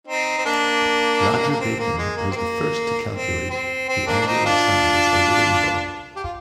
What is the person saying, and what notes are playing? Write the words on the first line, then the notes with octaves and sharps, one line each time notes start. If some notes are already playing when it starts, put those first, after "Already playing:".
Roger Bacon was the first to calculate the angular size of the rainbow.
C4 D#4
C4
A#3 D4
A#3
C4
A#3
G#3
A#3
C4
A#3
C4
C4
C4
A#3 D4
D4
C4 D#4
D4 F4
G4
F4